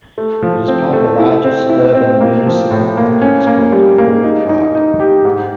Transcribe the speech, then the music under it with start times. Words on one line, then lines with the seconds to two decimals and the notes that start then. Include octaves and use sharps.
It is part of a larger suburban municipal complex called Ford Park.
0.18 A3
0.43 F3
0.68 C4
0.93 A3
1.19 E4
1.44 C4
1.69 E4
1.95 C4
2.21 A#3
2.46 F3
2.71 A2
2.97 A#3
3.21 C#4
3.47 A#3
3.72 G3
3.98 A#3
4.24 D#4
4.49 D#4
4.75 D#4
5.00 G4
5.25 G#2